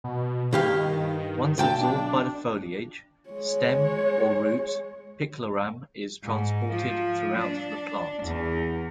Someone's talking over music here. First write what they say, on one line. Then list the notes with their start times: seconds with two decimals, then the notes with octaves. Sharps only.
Once absorbed by the foliage, stem, or roots, picloram is transported throughout the plant.
0.04 B2
0.53 G2 D#3 G4 F5
1.58 B1 G5 A5
1.81 D4
3.30 G#3 C#5
6.24 G#2
6.71 F3
7.37 D4
8.23 E2